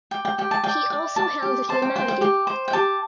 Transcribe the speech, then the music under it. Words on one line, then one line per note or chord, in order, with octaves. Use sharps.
He also held Limavady.
G4 G5
G5
G4 G5
A5
D5 G5
D5
D5 A5
G4
C5 A5
G5
C5 G5
G5
G4 G5
C5
G5
G4 A5